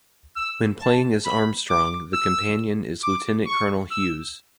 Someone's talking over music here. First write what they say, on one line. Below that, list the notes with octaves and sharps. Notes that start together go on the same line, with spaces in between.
When playing as Armstrong, the companion is Lieutenant Colonel Hughes.
E6
A5
B5
D6
E6
D6
C#6
E6